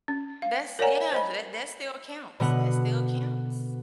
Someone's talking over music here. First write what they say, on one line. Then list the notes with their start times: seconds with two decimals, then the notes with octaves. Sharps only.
That's yeah, that that still counts, that still counts.
0.08 C#4
0.42 F5
0.79 A#4 C#5 D5 F#5 G#5 A#5
1.12 C5 D#5 B5
2.40 B2 D3 B3 F#5